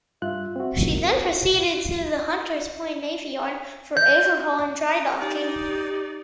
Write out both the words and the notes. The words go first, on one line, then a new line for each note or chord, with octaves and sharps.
She then proceeded to the Hunters Point Navy Yard for overhaul and drydocking.
G2 F4 E5 F#6
C4 F#4
A#3
G6
D#4 G4 D5